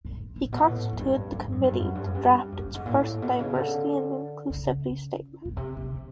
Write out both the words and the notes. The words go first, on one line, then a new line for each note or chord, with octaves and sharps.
He constituted the committee to draft its first Diversity and Inclusivity Statement.
A2
A2
B2
A2
F#2
G2
G#2
F#2
G2
F#2
G2
F#2
G2
F#2
G2
G#2
A#2
A2
B2
C#3
D3
C#3
B2
C3
C3